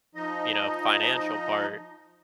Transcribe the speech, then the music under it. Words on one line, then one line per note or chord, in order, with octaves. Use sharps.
you know, financial part
F3 D#4 D#5